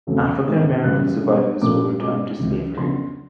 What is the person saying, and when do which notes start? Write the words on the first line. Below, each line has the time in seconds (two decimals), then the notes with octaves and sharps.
African-American survivors were returned to slavery.
0.07 E2 C#3 F#3 A3 C4
0.46 G#2 D#3 G#3 B3
0.84 F#2 C#3 E3 G3 F#6
1.23 B2 G3 B3 D4
1.62 A#2 F3 A3 C#4 D6
2.00 B2 G#3 C#4 D6
2.39 C#2 C3 E3
2.77 F2 C#3 F#3 B3 D4 C6